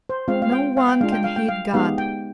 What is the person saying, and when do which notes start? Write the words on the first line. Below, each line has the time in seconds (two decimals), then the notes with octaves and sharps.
No one can hate God.
0.09 C5
0.28 G#3 C4 F4 F5
0.42 F5
0.52 G5
0.77 F5
0.88 G5
1.00 G#3 D4 F4 F5
1.12 G5
1.24 F5
1.36 G5
1.49 F5
1.74 G#3 B3 D#4 G4 F5
1.98 G5